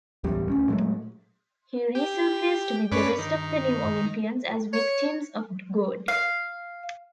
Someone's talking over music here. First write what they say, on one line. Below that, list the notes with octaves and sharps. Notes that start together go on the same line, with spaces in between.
He resurfaced with the rest of the New Olympians as victims of Gog.
D1 E2 G3
D2 C#4
A#2 F#3 G#3 A3
G4
G2 C#4 B4 D5
D#3
C#5
F5